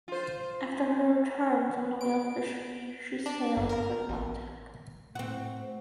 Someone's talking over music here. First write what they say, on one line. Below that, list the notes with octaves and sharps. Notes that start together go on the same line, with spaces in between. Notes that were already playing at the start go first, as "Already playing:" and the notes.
After her return from the whale fishery she sailed for the Baltic.
F4 C5
D7
D4
G1
A#4
A1
A2 C4 F#4